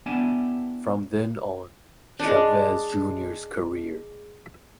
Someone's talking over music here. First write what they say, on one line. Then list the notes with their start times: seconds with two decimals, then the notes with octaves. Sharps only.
From then on, Chávez Jr.’s career.
0.06 B3 D4 E4 G4 G#5 A5
2.19 G#3 D4